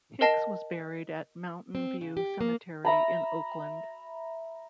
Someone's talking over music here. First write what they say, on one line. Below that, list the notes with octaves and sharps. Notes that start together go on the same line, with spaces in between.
Hicks was buried at Mountain View Cemetery in Oakland.
A#4 D#5 G5 A5 A#6 C7
C4
C#3
G4
A#3
E5 A#5 B5